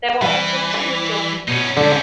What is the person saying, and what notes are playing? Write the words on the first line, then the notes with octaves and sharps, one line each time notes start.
There were also two adjoining rooms.
E3 G3
B2 C#4 D#4
G#2 D3 G3 C#4